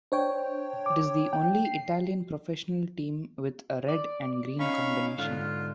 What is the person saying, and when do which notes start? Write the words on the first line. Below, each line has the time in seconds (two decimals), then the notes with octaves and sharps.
It is the only Italian professional team with a red and green combination.
0.12 D4 C5 C#5 G5
0.86 D6
1.33 G5
1.65 C7
3.89 D5
4.59 C#4 D#4 F5 B5 C#6
5.18 G#2 D3 F4 F5